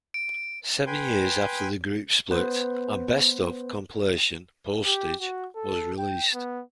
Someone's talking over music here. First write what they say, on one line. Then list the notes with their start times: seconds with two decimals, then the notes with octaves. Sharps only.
Seven years after the group split a 'Best Of' compilation, "Postage", was released.
0.14 D7
0.87 B4 G5 G#5 C6
2.31 B3 B4 C5
4.86 G4
5.21 F#4
5.55 A4
5.98 G5
6.34 B3